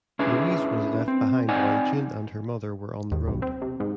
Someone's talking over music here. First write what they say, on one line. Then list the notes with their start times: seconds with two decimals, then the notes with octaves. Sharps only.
Louise was left behind while June and her mother were on the road.
0.19 C#4 D4 E4 G#4 B4
1.08 C4
1.48 C4 D#4 C5 D5 F#5 G#5
3.12 D#2
3.27 B1
3.42 C4
3.62 C3
3.80 G#2